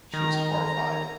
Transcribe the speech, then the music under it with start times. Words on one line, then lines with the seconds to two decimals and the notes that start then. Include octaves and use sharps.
She is horrified.
0.14 D#3 A#5